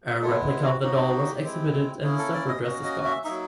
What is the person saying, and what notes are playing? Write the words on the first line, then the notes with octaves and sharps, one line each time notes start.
A replica of the doll was exhibited and staff were dressed as guards.
G#3 B3 E4 A4
F#4
A#3 D#4 F#4 G4
G#3 C4 E4
A#3 C#4 E4 G#4
A4
D5
D#5
A#3 C#4 F#4 D#5
D#5
E5
F#3 A#3 D#4 E5